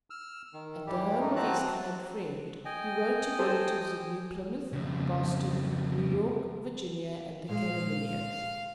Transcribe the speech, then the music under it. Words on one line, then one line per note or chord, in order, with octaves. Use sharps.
At the home of his kind friend, he wrote to relatives at New Plymouth, Boston, New York, Virginia and the Carolinias.
E6 F6
D#3
G2 E3 G3 G4
A3 D#4
E3 C4 F#4 A5 A#5 F#6
D#5 G5 G#5
G4 A4 C5
F2 C#3
A#2 G#3 F5